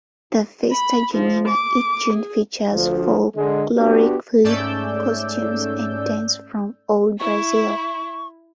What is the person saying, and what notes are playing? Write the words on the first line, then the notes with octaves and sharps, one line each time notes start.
The "Festa Junina" each June features folkloric food, costumes, and dance from old Brazil.
B5
F3
D6
G#4
D2 F3
D3 G#3
B3 D4 F#4 G4
G#2 A3 C#4 D5 E6 G6
E4 C#6